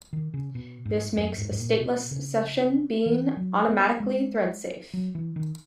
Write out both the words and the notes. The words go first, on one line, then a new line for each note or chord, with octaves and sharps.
This makes a stateless session bean automatically thread-safe.
D#3
C#3
B2
G#2
F#2
G#2
G#2
A#2
B2
C#3
E3
F#3
B3
G#3
F#3
E3
D#3